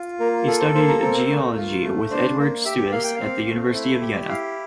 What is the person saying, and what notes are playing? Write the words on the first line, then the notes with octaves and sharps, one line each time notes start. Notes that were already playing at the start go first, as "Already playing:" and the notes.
He studied geology with Eduard Suess at the University of Vienna.
Already playing: F4
A#3 A#4
A4
C5
A#3 C5
A#4
C4 A#4
A3
F4
A3
D4 C5
A#3
G4 E5
A#3 F5
G5
C4 F5
A3
E4
G4
E4 F5